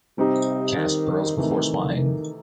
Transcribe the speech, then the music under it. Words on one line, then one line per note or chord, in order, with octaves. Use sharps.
Cast pearls before swine.
C3 G3 C4 D#4 G4
D#3
C3 D#3 E3 A3 D#4
D#3